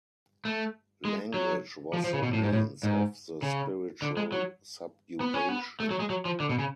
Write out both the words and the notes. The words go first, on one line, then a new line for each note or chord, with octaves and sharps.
Language was the means of the spiritual subjugation.
A3
G#3
F#3
F3
F3
C#3
B2
A2
G#2
A2
G#2
C#3
D3
G#3
F#3
B3
C#4
B3
A3
F#3
G#3
F#3
F3
D3
B2
C#3